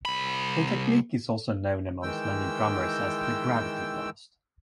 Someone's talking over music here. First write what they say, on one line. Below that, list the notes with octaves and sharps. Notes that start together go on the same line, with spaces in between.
The technique is also known amongst many drummers as the gravity blast.
C2 B5
D#3 E3 G#3 G5 E6